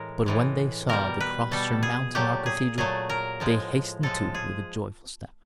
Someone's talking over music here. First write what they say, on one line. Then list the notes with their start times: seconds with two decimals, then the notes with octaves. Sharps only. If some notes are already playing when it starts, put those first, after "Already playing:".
But when they saw the cross surmounting our Cathedral they hastened to it with a joyful step.
Already playing: A2 E3 G#3 A#4
0.26 A2 E3 G#3
0.89 B2 G3 A#4
1.20 B4
1.51 B2 G3 A4
1.83 G#4
2.15 A#2 F#3 A3 G4
2.46 G#4
2.78 A#2 F#3 A3 G#4
3.10 A#4
3.40 A2 F3 G#3
4.03 A2 F3 G#3 A4
4.35 G#4